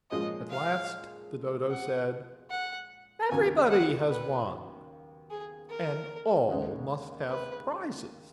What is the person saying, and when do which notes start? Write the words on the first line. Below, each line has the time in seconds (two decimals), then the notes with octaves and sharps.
At last the Dodo said, 'EVERYBODY has won, and all must have prizes.'
0.11 A#2 F3 G#3 C#4 G#4 D#5
0.50 F5
1.71 F#5
2.50 F#5
3.30 D#2 C#3 F#3 B3 G#5
3.70 F#5
4.10 B4
5.30 G#4
5.70 A#4
6.49 D#2 C#3 G#3
7.29 B4